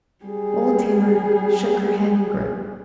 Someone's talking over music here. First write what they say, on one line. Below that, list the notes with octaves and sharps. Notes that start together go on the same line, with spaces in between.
Old Tamar shook her head and groaned.
G3 G#4